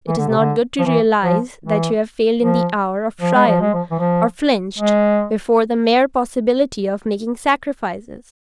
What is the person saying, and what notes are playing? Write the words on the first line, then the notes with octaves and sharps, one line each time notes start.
It is not good to realise that you have failed in the hour of trial or flinched before the mere possibility of making sacrifices.
E3
D3
C3
D3
F3
E3
F3
E3
F3
F3
G#3
F3
G#3
F3
E3
F3
G#3